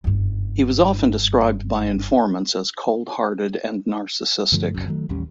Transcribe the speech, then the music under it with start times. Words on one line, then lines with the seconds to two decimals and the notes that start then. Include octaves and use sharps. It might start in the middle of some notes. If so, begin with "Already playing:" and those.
He was often described by informants as cold-hearted and narcissistic.
0.04 F#1 G2
4.52 G2 D3 F3 A3
4.74 F#1 C2 F#2
4.88 D#3 F#3 A3
5.09 A1 D#2 G3 C#4